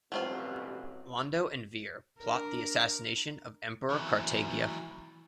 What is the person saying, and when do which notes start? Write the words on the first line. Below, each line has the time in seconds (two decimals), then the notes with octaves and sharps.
Londo and Vir plot the assassination of Emperor Cartagia.
0.12 A1 G2 B2 F#3 C4 F4
2.20 D4 A#4
3.90 E3 F#3